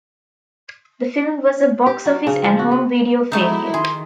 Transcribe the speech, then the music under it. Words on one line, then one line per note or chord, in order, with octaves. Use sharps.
The film was a box office and home video failure.
G4
F#3
C#3
F3
F#4
B3
F#3 G#3 A3 D#4 E4
D#3 G#4 C6